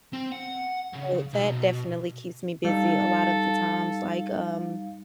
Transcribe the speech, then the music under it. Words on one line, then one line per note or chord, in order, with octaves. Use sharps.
Well, that definitely keeps me busy a lot of the times, like, um,
C4
F#5
C#3
B1
B2
G3 D#4 A4 F5